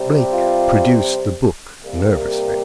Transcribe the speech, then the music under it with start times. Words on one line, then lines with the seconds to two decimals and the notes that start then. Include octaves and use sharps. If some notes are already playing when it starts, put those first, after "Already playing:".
Blake produced the book nervously.
Already playing: C3 G3 C4
0.31 F4
1.83 C3 G3 A#3